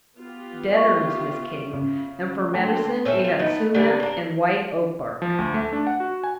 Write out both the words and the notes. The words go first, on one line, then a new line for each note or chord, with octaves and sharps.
"Dead earnest, Miss King; and for medicine we had sumac and white-oak bark."
B3 F4 G4
E5 C#6
C#3
D3 A3 G5 A5 C6
C4 C#4 E4 A4
F4
A3 B3 D#4
D3 G3 G#4 D5
A#3 D4
F3
D2
A3
D4
F#5
F#4
G#5